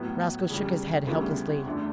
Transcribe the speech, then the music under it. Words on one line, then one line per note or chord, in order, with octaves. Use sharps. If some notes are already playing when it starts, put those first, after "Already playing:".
Roscoe shook his head helplessly.
Already playing: A2 F#3 B3
E2 C#3 G3
D2 C#3 G3 B3 E4
E2 D3 A3